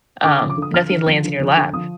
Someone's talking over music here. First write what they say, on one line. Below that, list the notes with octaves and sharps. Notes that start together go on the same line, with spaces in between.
Um, nothing lands in your lap.
D3 D6
D6
F3
D6
D3 D#6
F3 F6
D3
F3
D3
F3
D3
F3 D#6